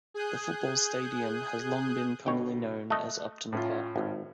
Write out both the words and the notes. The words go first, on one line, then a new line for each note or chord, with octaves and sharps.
The football stadium has long been commonly known as Upton Park.
G#4 G#5 D#6 F#6 G6
B2 D3 C#5 G5
A3 D#5 F#6
A2 C#4 F4
G#1